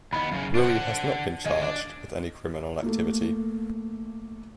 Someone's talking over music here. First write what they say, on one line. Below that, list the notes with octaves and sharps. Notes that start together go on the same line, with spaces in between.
Ruiz has not been charged with any criminal activity.
D#2 B3 D#4 B5
F#2 C#3 F5
D4 F4 F#4 C5 F#5
D#3 G#4 D#5 F5
D4 D5
A3 A#3